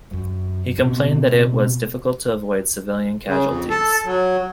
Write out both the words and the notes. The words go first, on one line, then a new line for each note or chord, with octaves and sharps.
He complained that it was difficult to avoid civilian casualties.
F#2
B2 B3 C4
C#3
F2
A4
F#3